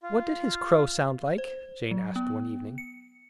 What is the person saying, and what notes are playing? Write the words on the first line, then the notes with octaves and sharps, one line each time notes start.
"What did his crow sound like?" Jane asked one evening.
F4
C5
F#3
B3
C#7